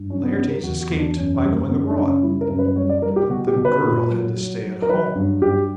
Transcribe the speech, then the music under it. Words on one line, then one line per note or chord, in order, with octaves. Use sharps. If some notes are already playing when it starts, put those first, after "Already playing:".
Laertes escaped by going abroad, but the girl had to stay at home.
Already playing: G2
F#3 C#4
B3
C#4
F#3 B3
A#4
E2 F#4
F#4
E2
D4
F#2 C#4
C#4
G3
A#3
F#2 B3
C#4
D4
C#3 C#4
C#4
G3 E4
A#4
F#2
B4
G3 C#5
D5
G3 A#4
G4
B2 F#4
G4
B2
B4
A#2
F#3
F#3
F#3
A#4
F#3 B4
G2
G2 G4